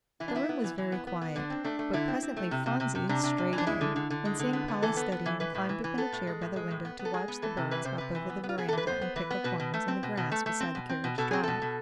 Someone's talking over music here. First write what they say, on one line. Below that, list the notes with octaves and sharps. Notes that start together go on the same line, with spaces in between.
The room was very quiet; but presently Phronsie strayed in, and seeing Polly studying, climbed up in a chair by the window to watch the birds hop over the veranda and pick up worms in the grass beside the carriage drive.
E3 E4
D4
B3 E4
B3
E3
E3
B3
B3
B3
D3 D4
C4
A3 D4
A3
D3 E4
C4
C4
A3
C3
C3
C3
C3
C3 D4
C3
C3
E3
D4
G#3 E4
D3
D3
D3
G#3
D3
B3
D3
E3 A4
B3
B3
E3
E3 B4
A2
E3
E3
B3 A4
A2
G#3
A2
G#3
A2
B3
B3
A4
G#3 G#4
B3
E3 A4
C3
E3 B4
C3 C5
C3 B4
E3
B3
B3
F4
B3 G#4
A4
E3 B4
B3 C5
B3
E3 B4
B3
B2 B4
B2
A3
C4
B2
B2
A3
A3
C4
B2
C4
B2
B2 A4
C4 G#4
B2 A4
B2